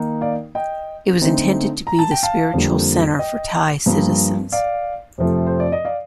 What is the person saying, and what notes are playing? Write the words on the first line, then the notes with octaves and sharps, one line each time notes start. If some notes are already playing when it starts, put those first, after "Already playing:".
It was intended to be the spiritual centre for Thai citizens.
Already playing: D#3 A#3 D#4
D5 F5
D#5 G5
D3 A3 C4 D#4
A#5
A5
G5
F5 A5
F2 D3 G3 A#3
D#5 G5
G2 F3 A#3
D5 F5
F2 C3 F3 A3 C4
C5
D5
D#5
D5 F5